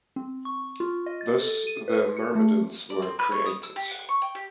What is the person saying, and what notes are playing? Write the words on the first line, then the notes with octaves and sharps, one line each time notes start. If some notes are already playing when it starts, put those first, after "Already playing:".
Thus the myrmidons were created.
C4
C#6
F4
D#5
A6
A4
D#7
B4
C#7
A3
D5
C4
B4
C#5
D#6
E6
G4
F#5
C#6
G5
G4